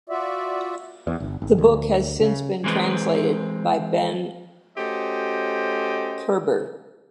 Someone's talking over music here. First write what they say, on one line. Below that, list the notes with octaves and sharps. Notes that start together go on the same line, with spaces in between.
The book since been translated by Ben Koerber.
F4 F#4 D5 E5
E2
G1
G#1
D2
C#3
E3 G#3 C4 B4
A3 C#4 F#4 G4 C5 D#5